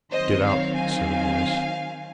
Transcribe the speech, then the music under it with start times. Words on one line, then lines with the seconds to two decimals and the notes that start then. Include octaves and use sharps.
"Get out," said a voice.
0.12 D#3 F#3 C4 C5 D#5
0.43 C#5 F5
0.76 F5 G#5